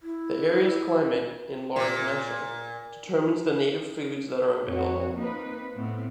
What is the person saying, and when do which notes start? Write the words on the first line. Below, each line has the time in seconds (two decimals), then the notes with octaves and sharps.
The area's climate, in large measure, determines the native foods that are available.
0.02 E4
1.76 A#2
4.68 F2 F#4 C#5
5.14 A#3 C4 D#4 B4
5.75 A2 A3 B3 C4